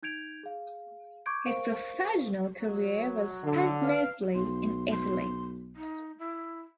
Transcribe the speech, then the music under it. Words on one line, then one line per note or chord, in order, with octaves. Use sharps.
His professional career was spent mostly in Italy.
D#4 G6 G#6 D7 F7
G#4 F5
C#6 D6 G6 G#6 D7
A#4 C5 F5 C#6 D7
F#3
D3
B4 F5
B1 C6
C6
D#4
E4